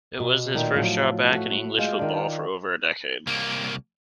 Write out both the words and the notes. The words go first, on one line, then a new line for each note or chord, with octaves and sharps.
It was his first job back in English football for over a decade.
B2
A#2 D#3 A3 G5
A2 F3 F#3
A3 F#4
G#3 F4 C5
D#3 D4
C2 A#3